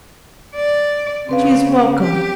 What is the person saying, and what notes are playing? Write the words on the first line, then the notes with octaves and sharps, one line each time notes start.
"She is welcome."
D5
C#3 C4 B4 F5
G4